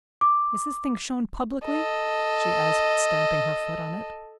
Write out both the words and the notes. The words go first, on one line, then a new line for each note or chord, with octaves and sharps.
"Is this thing shown publicly?" she asked, stamping her foot on it.
D6
A4 D#5